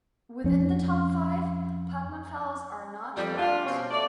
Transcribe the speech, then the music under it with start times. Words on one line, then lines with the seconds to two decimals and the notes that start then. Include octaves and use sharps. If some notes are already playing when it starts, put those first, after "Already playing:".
Within the top five, Putnam Fellows are not ranked.
0.44 F2 C#4
3.16 F2 G3
3.38 D4 F4
3.65 B2 G3 C4 C#4
3.91 A3 D5